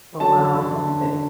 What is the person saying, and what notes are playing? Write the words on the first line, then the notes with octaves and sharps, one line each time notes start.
Oh, wow, okay.
F#3 A5
D3
D3
D3
D3
D3